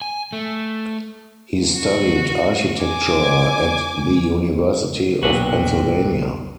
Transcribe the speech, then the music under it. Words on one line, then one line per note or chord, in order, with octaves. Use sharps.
He studied architecture at the University of Pennsylvania.
G#5
A3
F#4
G#5 D6
B1 A#2 D3 F#4 B4 G5